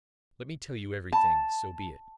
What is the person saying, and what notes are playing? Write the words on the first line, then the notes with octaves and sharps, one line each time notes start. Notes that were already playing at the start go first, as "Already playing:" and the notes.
Let me tell you everything, so be it.
A5